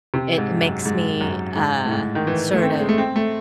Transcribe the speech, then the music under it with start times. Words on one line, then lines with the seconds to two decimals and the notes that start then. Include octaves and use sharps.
It makes me, uh, sort of
0.14 C3
0.38 G#2
0.61 F#2
0.86 G#2
1.21 F#2
1.56 G#2
1.85 A2
1.91 G#2
2.15 D#3
2.27 E3
2.53 A3
2.62 C4
2.80 G#3
2.89 A3
2.98 C4
3.16 A3